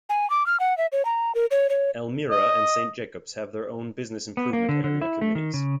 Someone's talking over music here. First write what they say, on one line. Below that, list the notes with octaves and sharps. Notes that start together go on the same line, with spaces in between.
Elmira and Saint Jacobs have their own Business Improvement Area committees.
G#5
D6
F6
F#5
E5
C#5
A#5
A#4
C#5
C#5
D#5
B3
A#3
D3
D3
E4
A3
D#3
C#3